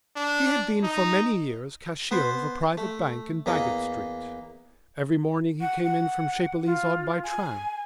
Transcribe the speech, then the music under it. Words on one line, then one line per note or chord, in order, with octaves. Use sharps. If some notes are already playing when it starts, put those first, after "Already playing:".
He had been for many years cashier of a private bank in Baggot Street. Every morning he came in from Chapelizod by tram.
D4
D#4
B3 B4 C5
A3
E2 A#3 D#5
F#5
F#5
F4
G#5